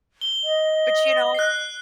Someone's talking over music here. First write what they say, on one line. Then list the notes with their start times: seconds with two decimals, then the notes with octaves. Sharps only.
But you know,
0.21 G7
0.44 D#5
1.34 F#6 C7